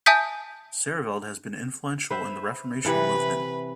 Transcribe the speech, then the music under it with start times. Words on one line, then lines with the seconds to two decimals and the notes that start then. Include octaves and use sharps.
Seerveld has been influential in the reformational movement.
0.06 E5 G#5 A5 D#6 G6 B6
2.10 B4 C5 E5
2.85 C3 E3 B4 F#5